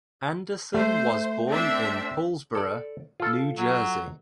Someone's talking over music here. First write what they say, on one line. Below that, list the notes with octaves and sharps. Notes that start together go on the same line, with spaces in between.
Anderson was born in Paulsboro, New Jersey.
A3 C5
C4 D4 E5
A4 D5
F4 A4
F#3